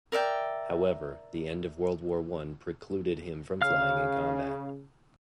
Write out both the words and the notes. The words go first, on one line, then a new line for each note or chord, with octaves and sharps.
However, the end of World War One precluded him from flying in combat.
A#4 D5 E5 G5
C#3 F5 F6